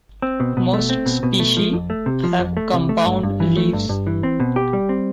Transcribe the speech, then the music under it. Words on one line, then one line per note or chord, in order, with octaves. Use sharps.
Most species have compound leaves.
C4
B2
B2
A3
C4
B2
B2
A3
F3
F2
A3
C3
F3
F2
A3
C3
A3
G2
G2
E3
A3
G2
G2
E3
C4
B2
G4
G3
C4